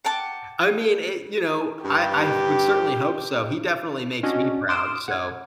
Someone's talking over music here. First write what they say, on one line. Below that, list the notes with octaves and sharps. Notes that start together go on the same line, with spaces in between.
I mean it You know, I I would certainly hope so, he definitely makes me proud, so.
F#5 G5 A5 D6
G2 G4
C#4 D4 F#4 D#5
C6 D6 D#6 F6 D7 E7
F#5 G#6